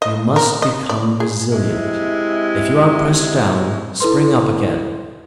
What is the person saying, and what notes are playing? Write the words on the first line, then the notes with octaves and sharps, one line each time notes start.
You must become resilient; if you are pressed down, spring up again.
D#5
A#4
D#5
D5
G#4
C3 G#3 E4
E4 A4 B4 C6